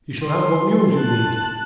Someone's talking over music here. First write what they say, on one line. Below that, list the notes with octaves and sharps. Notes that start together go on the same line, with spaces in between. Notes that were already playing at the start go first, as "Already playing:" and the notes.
You shall have what mules you need.
C6
A5 F#6